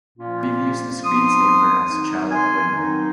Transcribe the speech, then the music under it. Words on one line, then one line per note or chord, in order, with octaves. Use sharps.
Previews the screensaver as child of window.
A#2 F3 A#3 C#4 F4
F3 C4 D#4 C6 D#6
D#3 F#3 C4 D#4
G#5 C6
D#3 F#3 C4 D#4